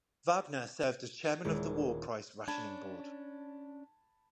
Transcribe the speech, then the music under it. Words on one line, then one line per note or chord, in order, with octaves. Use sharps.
Wagner served as chairman of the War Price Rationing Board.
D#1 G#3 A#3 E4
C#4 D4 A5 B5 G#6